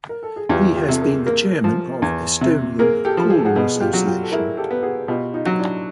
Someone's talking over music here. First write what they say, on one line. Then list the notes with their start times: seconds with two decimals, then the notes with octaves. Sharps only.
He has been the chairman of Estonian Choral Association.
0.09 A#4
0.23 A4
0.36 G#4
0.49 E2 F4 G4
0.75 F4 G4
0.88 C3 A4
1.01 G#4 A#4
1.27 A#3
1.64 F3
2.02 E2
2.41 C3
2.79 A#3 G#4 A#4
3.05 G4 A4
3.17 F3
3.30 G#4
3.38 A4
3.45 F#4 G#4
3.56 B2 F#4 G#4
3.76 G#4
3.81 F4 G4
3.93 F#3
4.06 F4 G4
4.23 A4
4.32 E4 G#4 A#4
4.57 G4 A4
4.71 B3
4.83 F#4 G#4
5.08 B2 F4 G4
5.34 D#4 F4
5.46 F#3
5.59 D4 E4